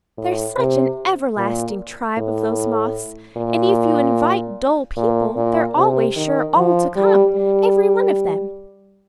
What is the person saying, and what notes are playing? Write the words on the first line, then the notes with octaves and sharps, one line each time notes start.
There's such an everlasting tribe of those Moths; and if you invite dull people they're always sure all to come, every one of them.
A2
C3
A#2
A2
A#2
A#2
A#2
C3
D#3
F3
G3
G3